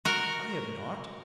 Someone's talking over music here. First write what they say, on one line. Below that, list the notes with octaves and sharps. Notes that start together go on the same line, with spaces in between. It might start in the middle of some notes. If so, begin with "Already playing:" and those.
"I have not."
F#4 A#4